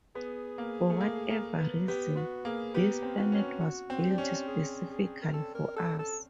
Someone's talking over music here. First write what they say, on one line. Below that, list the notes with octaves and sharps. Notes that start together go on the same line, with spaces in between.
For whatever reason, this planet was built specifically for us.
B3 G#4
A#3
A3
A#3
A#3
B3
B3 G4
B3 F#4
A#3 G#4
B3 G4
C4
F#4
C#4
F#4
C4
G4
D4
C#4
G#4
G#4
A#4
A4
A#4
A4
A4